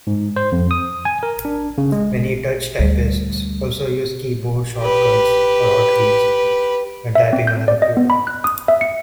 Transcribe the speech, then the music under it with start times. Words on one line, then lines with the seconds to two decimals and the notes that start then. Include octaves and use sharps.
Many touch typists also use keyboard shortcuts or hotkeys when typing on a computer.
0.07 G#2
0.36 C5
0.52 F2
0.71 D#6
1.05 G#5
1.23 A#4
1.45 D4
1.78 C#3
1.92 G#3
2.79 D2 G3
4.79 G4 B4
7.15 E5
7.33 C4
7.47 G6
7.68 D5
7.82 D#5
7.97 B3
8.10 B5
8.27 F#6
8.44 D#6
8.68 E5
8.81 C#7